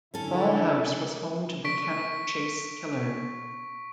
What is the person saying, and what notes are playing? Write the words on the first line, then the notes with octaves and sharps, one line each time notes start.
Ball House was home to the Cannock Chase Killer.
D3 C#4 E4 A4
C#6 B6 D7